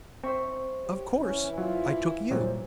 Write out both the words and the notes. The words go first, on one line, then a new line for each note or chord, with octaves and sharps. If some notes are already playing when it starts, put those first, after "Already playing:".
Of course, I took you.
C4 C5 E5 C#6
G4 C#5
E3 C#4 E4
F#3 F4
A#2 F#3 G3 C5